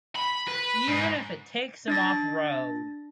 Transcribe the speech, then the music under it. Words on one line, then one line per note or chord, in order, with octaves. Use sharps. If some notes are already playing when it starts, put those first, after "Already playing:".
Even if it takes him off road.
B5
B4
G#2
D4 A6 A#6